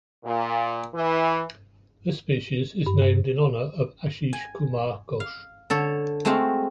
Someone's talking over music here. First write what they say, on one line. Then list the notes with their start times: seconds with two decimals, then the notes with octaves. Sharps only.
This species is named in honor of Asish Kumar Ghosh.
0.25 A#2
0.94 E3
2.86 G2
4.33 G#5
5.20 F5
5.70 D3 A4 C#5
6.25 G#3 A3 C4 F#4 F5 G5